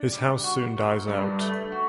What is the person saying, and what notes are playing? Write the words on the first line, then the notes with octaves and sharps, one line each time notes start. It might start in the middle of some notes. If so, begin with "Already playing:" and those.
His house soon dies out.
Already playing: D4
G3
F#4
A#2
G2 G3 D4
A3
F#4